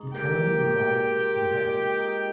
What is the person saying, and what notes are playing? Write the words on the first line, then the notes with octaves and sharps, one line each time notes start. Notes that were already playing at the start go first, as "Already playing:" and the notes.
He currently resides in Texas.
Already playing: G#2
A#3 G4 G5
G#2
A#2
G#3
D#4